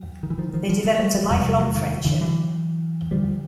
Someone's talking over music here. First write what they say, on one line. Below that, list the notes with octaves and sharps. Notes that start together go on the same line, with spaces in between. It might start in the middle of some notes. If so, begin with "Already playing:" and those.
They developed a lifelong friendship.
Already playing: F#3
D#3
E3
D#3 F3
D#3 F3
F3 G3
F#3 G#3
G3 A3
F#3 G#3
F#3
F1 E2 C3 F3 G3
F3 G3
F#3 G#3
D#3
D3 E3
E3 F#3
D2 D3 F3 G3